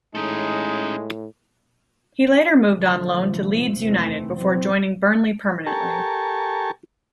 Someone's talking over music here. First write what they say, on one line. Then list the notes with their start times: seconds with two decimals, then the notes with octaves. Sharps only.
He later moved on loan to Leeds United before joining Burnley permanently.
0.15 A2 G#3 C#4 D#4 A4
2.73 F1 A#1 D3 F3 F#3 A3
3.79 F1 D#2 E3 A3 C4
4.35 A#2 E3 F#3 C4
5.67 G4 A4 A#4 G#5 A5 C#6